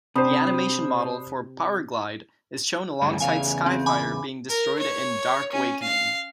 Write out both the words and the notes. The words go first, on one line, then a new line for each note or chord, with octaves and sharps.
The animation model for Powerglide is shown alongside Skyfire being destroyed in "Dark Awakening".
C3 D4 C5 B5 D#6
D2 G2 C#3
E2 A2 C#3 F5 G#5
C4
G#5 B5 D6
A#4
C#5
C#4
F5